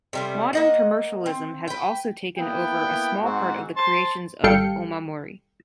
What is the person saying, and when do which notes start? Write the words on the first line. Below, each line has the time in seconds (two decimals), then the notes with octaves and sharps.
Modern commercialism has also taken over a small part of the creations of "omamori".
0.13 C3 G3 A3
0.53 A#3 D#5 F#5
1.26 C4
1.68 B4 G5
2.38 A#3 B3 E4 G5
3.21 G#2 C4 F#4
3.76 C5 A5 C6
4.44 G#1 G3 A4 F5 G5 C#7